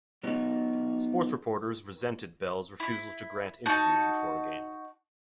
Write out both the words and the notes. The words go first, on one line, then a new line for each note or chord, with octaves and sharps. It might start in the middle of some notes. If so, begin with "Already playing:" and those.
Sports reporters resented Belle's refusal to grant interviews before a game.
F#3 B3 D#4 F4 F#4
E4
D#4 F#4 A5